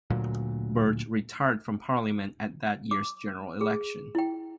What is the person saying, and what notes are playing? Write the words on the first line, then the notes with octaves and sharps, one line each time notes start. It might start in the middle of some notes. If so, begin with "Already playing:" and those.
Birch retired from Parliament at that year's general election.
D2 A#2 F#3
D6
G#4
E4 G5